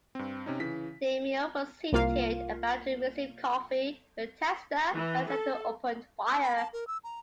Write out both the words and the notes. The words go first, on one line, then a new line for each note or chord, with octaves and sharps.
DeMeo was seated, about to receive coffee, when Testa and Senter opened fire.
G2 C4
C3 C#4 D#4
C#3 E3 B6
C2 A#3 F4 F5
E3
A4
E6
B5
A5
A#4
E6
A#5